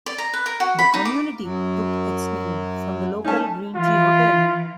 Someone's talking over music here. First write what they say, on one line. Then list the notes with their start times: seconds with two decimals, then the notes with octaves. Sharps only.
The community took its name from the local Green Tree Hotel.
0.06 D5
0.18 A#5
0.33 B4
0.46 A#4
0.60 F#4
0.79 B5
0.94 D#4
1.05 D6
1.43 F#2 F#3
3.24 A3 C#4 D#4 A5
3.75 E3 F4